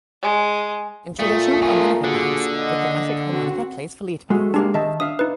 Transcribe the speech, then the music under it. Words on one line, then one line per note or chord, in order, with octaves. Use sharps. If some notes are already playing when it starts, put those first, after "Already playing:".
In traditional harmonica bands, the chromatic harmonica plays the lead part.
G#3
A#2 A3 D#6
A3 F4 G#4 A#4
D3 F#4 G#4
D#5 F#5
C4 F#4
G#3 A3 F#4
G#3 A#3 D4 G4
D#3 D#5 E5 A5
D4 E5 F5 D#6
D#4 B4